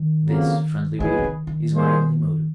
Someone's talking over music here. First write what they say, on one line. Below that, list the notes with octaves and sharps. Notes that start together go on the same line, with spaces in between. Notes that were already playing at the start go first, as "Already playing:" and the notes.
This, friendly reader, is my only motive.
Already playing: D#3
F2 C#3 F#3 A#3
E3 F#3 B3 D#4 G#4 B4
E3
D#3
D#3
G3 A#3 D#4 G#4 C5